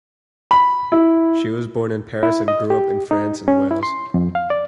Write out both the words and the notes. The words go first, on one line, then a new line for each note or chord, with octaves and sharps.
She was born in Paris and grew up in France and Wales.
B5
E4
E4
D#5
G4
D#4
C#4
E4
C6
F2
F5
D5